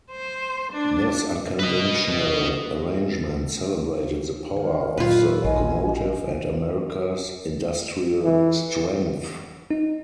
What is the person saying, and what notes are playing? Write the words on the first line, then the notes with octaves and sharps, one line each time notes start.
This unconventional arrangement celebrated the power of the locomotive and America's industrial strength.
C5
D4
B4 D#5
D#3 A#4
F#2 A#2 F4 B4
A4
A#1 D#5 G#5
E3
D#4